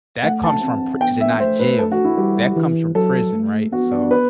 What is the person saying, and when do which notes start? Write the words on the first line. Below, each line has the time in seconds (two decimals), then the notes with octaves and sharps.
That comes from prison, not jail that comes from prison, right? So,
0.23 A3 F#5
0.44 A5
0.63 C4
1.01 B3 G5
1.21 E5
1.39 A3 C5
1.60 B4
1.79 A4
1.92 F#4
2.04 E4
2.17 G3 G4
2.57 E3
2.95 F#3 A4
3.33 A3
3.72 B3 F#4
3.92 D4
4.11 B4